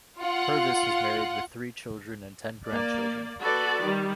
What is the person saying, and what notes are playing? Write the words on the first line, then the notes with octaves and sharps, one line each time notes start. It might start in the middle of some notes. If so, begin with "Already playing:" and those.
Purvis is married with three children and ten grandchildren.
F4 F#5
A#3 D5
F#4 A4 B4 D5
D#3 G3